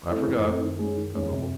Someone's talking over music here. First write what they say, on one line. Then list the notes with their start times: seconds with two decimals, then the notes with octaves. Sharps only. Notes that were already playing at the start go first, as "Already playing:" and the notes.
"I forgot," I mumbled.
0.10 A3 C4 E4
0.27 G2 E3
0.36 F#2
0.44 F2 A3 C4 E4
0.53 F#2
0.61 D#3
0.79 G#3 C#4
0.96 D#3
1.14 G#3 C#4
1.22 F2
1.31 F#2 C3